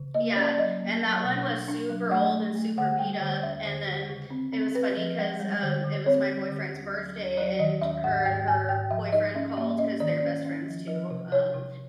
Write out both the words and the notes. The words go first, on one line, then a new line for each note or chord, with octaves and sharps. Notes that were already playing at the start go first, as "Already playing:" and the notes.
Yeah, and that one was super old and super beat up, and then it was funny 'cause, um, it was my boyfriend's birthday, and her and her boyfriend called 'cause they're best friends, too, um,
Already playing: C#3
A#3 D#5
C#4 D5
F#3 D#5
A#3
F#3
B2
D4
D4
F#3
A3 F#5
A3
A3
D3 F#5
G3 G5
D3
D#2 E5
D3
D3
C#3
C4
C4
C4 B4
F3
G#3
G3
D3
D3
C4 C#5
G3
D3
D#2
F#3
D#2
F#3 D5
D#3 D#5
D#2 E5
G#2 F#5
G#2 G5
G#2 G#5
G#2 G5
F3 E5
D#4 D#5
C#4 E5
A#3 E5
C#4 D#5
D#3 D5
C#4
C#4
F3
F3
C3
C3 C#5
C3